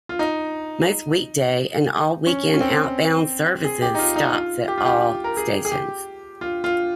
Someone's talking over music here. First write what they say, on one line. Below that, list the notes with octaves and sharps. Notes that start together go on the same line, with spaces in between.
Most weekday and all weekend outbound services stops at all stations.
F4
D#4
C#4
C#4
C4
G#4
G4
D#4
F4
D#4
F4
G4
F4
G4
A#4
G#4
G#4
G4
F4
F4